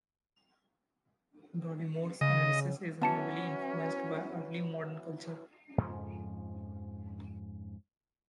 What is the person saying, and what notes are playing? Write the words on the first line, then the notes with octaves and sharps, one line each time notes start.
Dollimore's analysis is heavily influenced by early modern culture.
C#3 D#5
E3 F#3 B3 C#4 A5 C#7
F2 G#2 C#3 F3